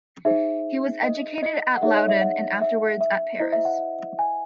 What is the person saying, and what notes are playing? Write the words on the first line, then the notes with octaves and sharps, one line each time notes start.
He was educated at Loudun and afterwards at Paris.
D#4 G#4 C5 E5
D#5
D#5
F#5
D#4 G#4 C#5 E5
D#5
E5
F#5
E5
E5
E4 C5 D#5
E5
F#5
G#5